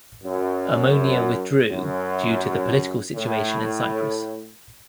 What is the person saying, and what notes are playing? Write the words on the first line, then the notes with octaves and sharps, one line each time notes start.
Omonia withdrew due to the political situation in Cyprus.
F#2
F#2
A2